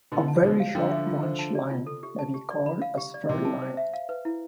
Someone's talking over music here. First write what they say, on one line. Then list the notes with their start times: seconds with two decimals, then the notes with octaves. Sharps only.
A very short branch line may be called a spur line.
0.12 B2 D3 C6
0.28 A5
0.43 B2 D3 C5
0.60 F5
0.75 D3 F3 G5
0.91 E5
1.07 F4
1.23 C5
1.39 A5
1.55 D5
1.71 F4
1.87 A4
2.03 G4
2.19 A5
2.34 G4
2.50 D5
2.66 B5
2.82 F5
2.98 G4
3.14 D5
3.29 C3 C6
3.45 A5
3.62 C5
3.77 E5
3.94 F5
4.09 B4
4.25 E4